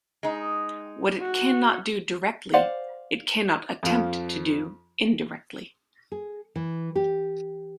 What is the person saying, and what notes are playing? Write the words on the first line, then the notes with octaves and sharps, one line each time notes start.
What it cannot do directly, it cannot attempt to do indirectly.
G#3 D#4
F#4
C5 D5 F5 F#5
F2 F3
G#4
E3
G4